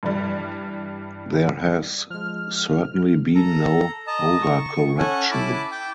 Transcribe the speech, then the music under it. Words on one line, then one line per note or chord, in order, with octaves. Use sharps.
There has certainly been no overcorrection.
G2 E3 G3
F3 G#3 F6
A4 A#5
D#5 A5 A#5
C#6
C#4 A4 F#5 G#5
E4 A5 B5 D6
G5 D6